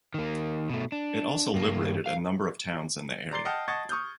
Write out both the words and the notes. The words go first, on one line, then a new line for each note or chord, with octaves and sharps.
It also liberated a number of towns in the area.
D#3 A#3
B2 A3
D4
G2 A#3
F5
D5 A#5 C6 A6 C7 G7
D#5 F#5 G5 A5 F6
D#5 F#5 A5 C#6 G#6 A6
C#6 D#6 F6 G6